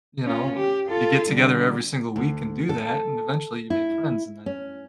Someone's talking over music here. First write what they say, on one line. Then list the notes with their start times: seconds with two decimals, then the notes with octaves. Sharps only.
you know, you get together every single week and do that, and eventually you make friends, and that's
0.24 C#4 F4
0.56 G4
0.89 F4 A4
1.30 D3 G3
2.16 D2
2.69 A4
3.70 E4
4.46 C#4